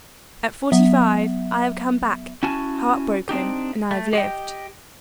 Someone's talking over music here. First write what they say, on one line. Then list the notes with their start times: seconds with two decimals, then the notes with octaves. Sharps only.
At forty-five, I have come back, heart-broken, and I have lived.
0.72 F#3 B3 E5
2.43 C#4 E4 F#4 G#5 A5
3.29 C4 D4 D#4 G4
3.91 A3
4.13 G4 D#5 G5